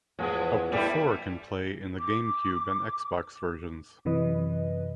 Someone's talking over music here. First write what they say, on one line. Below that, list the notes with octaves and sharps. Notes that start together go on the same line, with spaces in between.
Up to four can play in the GameCube and Xbox versions.
E2 F3 B3 G#4
E2 G3 E4 A4 D5
D6
F#2 C3 E3 B4 D#5